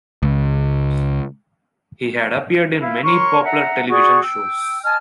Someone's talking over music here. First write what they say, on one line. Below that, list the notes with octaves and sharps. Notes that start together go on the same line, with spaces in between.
He had appeared in many popular television shows.
C#2
E4 F5
A#4 C#5 C6 C#6
E5 F#5 A#5
F#4 G#4 D5 C#6
G5 E6
D#5 G#5 A5 F6